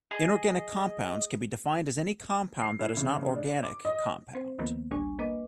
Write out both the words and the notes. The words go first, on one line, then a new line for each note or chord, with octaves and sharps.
Inorganic compounds can be defined as any compound that is not organic compound.
G#4 D#5
C7
E4
C#3
C#3
D4
D6
D#5
C4 C5
D2 D#3 F3 A#3 B3
A1 D2 G3 D4 G#5 C#6
B1 A#3 B4 D#5 D6